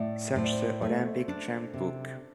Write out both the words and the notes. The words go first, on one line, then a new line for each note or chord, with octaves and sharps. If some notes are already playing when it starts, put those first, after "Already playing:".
Search The Olympic Champ book.
Already playing: A2 D5 E5
A2 C5
D5
C5
A3 A4
D4
C3